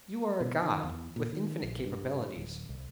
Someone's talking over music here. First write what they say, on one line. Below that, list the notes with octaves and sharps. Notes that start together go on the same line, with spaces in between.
You are a god, with infinite capabilities.
B2
D#3
E2
A#2
D#3
A#1
G2
D1
C2